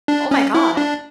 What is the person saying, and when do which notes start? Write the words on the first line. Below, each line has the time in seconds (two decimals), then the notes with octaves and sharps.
Oh, my god.
0.08 D4
0.31 C#4
0.55 E4
0.77 D4